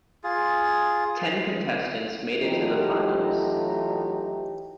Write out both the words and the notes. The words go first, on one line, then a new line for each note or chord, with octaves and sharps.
Ten contestants made it to the finals.
F4 G#4
E3 F#3 A3 D#4 F4 G4